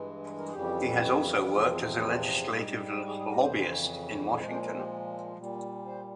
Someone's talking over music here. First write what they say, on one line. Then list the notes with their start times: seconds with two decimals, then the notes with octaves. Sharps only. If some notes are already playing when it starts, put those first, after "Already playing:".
He has also worked as a legislative lobbyist in Washington.
Already playing: G2 E3 G#3
0.39 A#4
0.46 G#4
0.53 F2 C#3 E3 G3 G4
1.50 E2 C3 F3 G#3 F4
1.62 G4
1.74 G#4
1.86 C5
1.99 C#5
2.47 G#2 C#5
2.50 G3
2.95 C5
3.08 G#4
3.19 G#4
3.32 A#4
3.43 F2 C#3 E3 C5
4.40 A#2 F3 G#3 C5
4.53 C5
4.65 A#4
4.77 G4
5.37 A#2 G3
5.86 C5